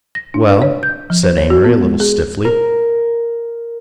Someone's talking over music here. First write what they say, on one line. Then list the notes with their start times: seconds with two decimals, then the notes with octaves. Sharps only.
"Well?" said Amory a little stiffly.
0.15 A#6
0.34 D4
0.50 B4
0.62 C#5
0.83 G6
1.10 F3
1.23 C5
1.38 C#5
1.50 F#4
1.65 B3
1.81 G#3
2.00 G#4
2.45 A#4